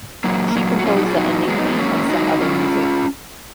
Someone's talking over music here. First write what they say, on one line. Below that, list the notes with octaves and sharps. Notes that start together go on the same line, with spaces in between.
She composed the ending theme and some other music.
A#2 F#3 A#3
A#2 F#3
F#4
A#2 F#3 C#4 F4
D#4 F#4
F4 G#4
A#2 F#3 D#4 F#4
G#2 F#3 G#3 B3
B3 D#4
G#3 B3
G#2 F#3 A#3 C#4
G#2 F#3 D#4 F#4
G#2 F#3 C#4 F4